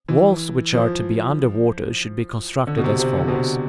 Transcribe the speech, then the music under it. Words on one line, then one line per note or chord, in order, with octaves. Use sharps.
Walls which are to be under water should be constructed as follows.
E3
F3
D3
B2
C3
C3
D3
B2
C3